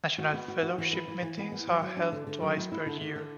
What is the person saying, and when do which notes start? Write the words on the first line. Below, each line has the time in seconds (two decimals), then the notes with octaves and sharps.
National Fellowship meetings are held twice per year.
0.18 F#4
0.33 B3
0.48 F#4
0.63 F#4
0.78 E3
0.93 B4
1.08 E3
1.22 E3
1.37 B3
1.52 B3
1.67 F#3
1.82 F#3
1.97 D4
2.12 D3
2.27 D3
2.42 F#3
2.57 E4
2.72 E4
2.86 D3
3.01 D3
3.16 D3